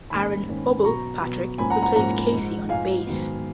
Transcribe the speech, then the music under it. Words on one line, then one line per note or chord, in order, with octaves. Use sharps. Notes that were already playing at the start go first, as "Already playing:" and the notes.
Aaron "Bubble" Patrick replaced Casey on bass.
G#2 D#3 A#3 C#4 G#5 B5
G#2 D#3 A#3 C#4
B2 F#3 B3 A#5 C#6
B2 F#3 B3
G#2 F3 A#3 C#4 G#5 B5
F#5 A#5
F#5 A#5
G#2 F3 A#3 C#4 F#5 A#5
G#2 F3 G#3
G#2 F3 G#3 F5 G#5
G#2 D#3 F#3 B3